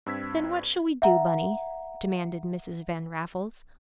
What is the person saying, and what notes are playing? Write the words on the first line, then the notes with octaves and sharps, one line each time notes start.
"Then what shall we do, Bunny?" demanded Mrs. Van Raffles.
G2 C4 E6 G#6 B6
E5 F#5 A#5